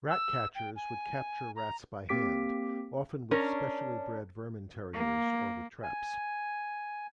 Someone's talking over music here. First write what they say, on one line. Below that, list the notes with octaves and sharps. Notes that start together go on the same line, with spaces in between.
Rat-catchers would capture rats by hand, often with specially-bred vermin terriers, or with traps.
E6
G5
G#5
A#5
A#3 C4 G4 D6 B6 D7
C#4 D4 A#4
A#3
G#5